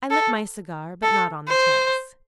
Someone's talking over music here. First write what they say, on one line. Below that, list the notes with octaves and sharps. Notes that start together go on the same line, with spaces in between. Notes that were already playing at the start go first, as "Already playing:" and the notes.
I lit my cigar, but not on the terrace.
A4
A4
C5